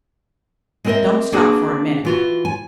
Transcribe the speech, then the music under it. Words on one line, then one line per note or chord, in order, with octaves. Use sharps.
Don't stop for a minute.
G#3 B3 C4 A#4 D#5 E5
A#3 C4 D4 F#4 G#4 B4
E3 F4 F#4
G#5